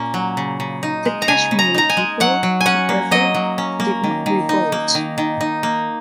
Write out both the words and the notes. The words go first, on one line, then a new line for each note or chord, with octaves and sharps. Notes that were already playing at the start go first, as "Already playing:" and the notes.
The Kashmiri people, however, did not revolt.
Already playing: A#2 A#3 C#4
F#3
C#3
C#3
D#4
G#3
A#5
C#3 G#5
C#3
A#5
D#4 A#5
G#5
G#3
F#3 F#5
F#3
G#5
C#4 F#5
A#3
F#3 D#5
F#3
C#4
A#3
D#3
D#3
D#4
A#3
D#3
D#3
D#4
A#3